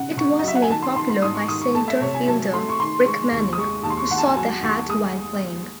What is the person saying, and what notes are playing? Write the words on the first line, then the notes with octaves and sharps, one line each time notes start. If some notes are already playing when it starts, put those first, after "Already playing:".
It was made popular by center-fielder Rick Manning, who saw the hat while playing.
Already playing: C#3 F#5
C#3 C#6
D#5
F#3 E5
F#5
G#5
D#3 A5
C6
D#3 C6
C6
G#2 D#6
C#6
D#3 D#6
C#6
A3 A5
E5
C3 C#5
G#5
F#3 A5
A3 C6
C#6
D#3 C6
G#3 C#6
D#2 C#6
D#6
G#3 C#6
D#2 A5
C6
C#6
D#2 F#5
A5
G#5
F#3 G#5
D#2 C#6
G#3 D#6